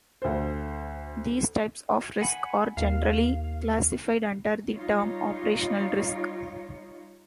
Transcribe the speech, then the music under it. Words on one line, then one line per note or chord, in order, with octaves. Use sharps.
These types of risk are generally classified under the term 'operational risk'.
D2 C5
F#5 G#5 B5
D#2 F5
G3 D#4 F4 C#5